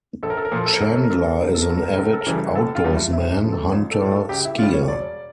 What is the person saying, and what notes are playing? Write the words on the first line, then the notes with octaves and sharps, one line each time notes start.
Chandler is an avid outdoorsman, hunter, skier.
A#1 A4
A#4
A4
A#4
A#2 F3 A4
A#4
A4
A#4
G1 A4
A#4
A4
A#4
G2 F3 A4
A#4
A4
A#4
E1 A4
A#4
A4
A#4
D2 D3 F3 A4
A#4
A4
A#4
C#2 A4
A#4
A4
A#4
C#3 E3 G3 A4
F1 A4
F4
E2 D3 G3
E4
E1 E4
D2 C#3 F3
A4
A1 F4
A4
A2 G3
A4
C#2 G4
E4
C#3 G3 F4
C#5
E1 D5